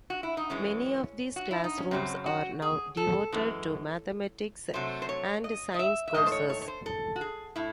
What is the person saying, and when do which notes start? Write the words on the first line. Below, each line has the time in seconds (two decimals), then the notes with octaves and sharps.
Many of these classrooms are now devoted to mathematics and science courses.
0.10 F#4
0.23 E4
0.37 D#4
0.50 F#2 E3 G#3 C#4
1.36 F#4
1.51 E4
1.64 D#4
1.78 C#4
1.91 F#2 C#3 F#3 C4
2.26 F#4
2.62 G#4
2.97 A4
3.32 F#2 E3 G#3
4.74 C3 F#3 A3 C5
5.02 C5
5.09 C#5
5.44 D#5
5.74 D#5
5.79 E5
6.08 E5
6.14 G#2 D#3 A3 D#5
6.26 C5
6.32 C#5
6.50 C#5
6.62 C#5
6.68 C5
6.86 A4
7.16 F#4
7.21 G#4
7.56 A2 E4